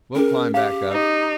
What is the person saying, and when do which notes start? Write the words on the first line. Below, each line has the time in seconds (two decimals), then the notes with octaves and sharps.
We'll climb back up.
0.16 C#4 G#4 A#4
0.54 G4 F5
0.91 D#4